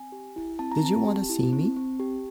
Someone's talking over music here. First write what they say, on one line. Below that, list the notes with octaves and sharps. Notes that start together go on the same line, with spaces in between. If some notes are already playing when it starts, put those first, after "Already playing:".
Did you want to see me?
Already playing: C4 G#5
G4
E4
C4 A5
A#5
C4 A5
G4
E4
C4
C4
G4